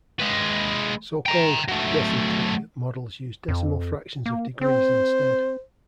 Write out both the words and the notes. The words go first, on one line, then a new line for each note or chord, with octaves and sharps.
So-called "decitrig" models use decimal fractions of degrees instead.
G#3 B4
G5 A#5
F#3 A3
F2
A#3
C4 C5